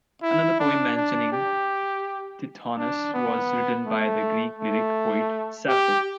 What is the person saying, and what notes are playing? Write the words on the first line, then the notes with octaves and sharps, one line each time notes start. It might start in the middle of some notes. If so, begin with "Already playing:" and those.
Another poem mentioning Tithonus was written by the Greek lyric poet Sappho.
E4
D4
D4
G4
D4
B3
A3
A3
G4